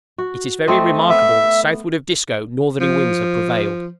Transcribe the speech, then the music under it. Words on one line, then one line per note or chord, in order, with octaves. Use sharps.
It is very remarkable that southward of Disco northerly winds have prevailed.
F#4
A3 C4 D#5
B3 E5
F3